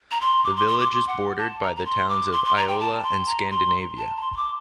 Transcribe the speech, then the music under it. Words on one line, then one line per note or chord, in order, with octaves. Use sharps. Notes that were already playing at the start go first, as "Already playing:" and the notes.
The village is bordered by the towns of Iola and Scandinavia.
A#5
C6
D6
C6
C6
D6
C6
F#5
A5
A#5
A#5
C6
D6
C6
C6
A#5
G5
A5
C6
A#5
C6
A5
A#5
C6
C6
D6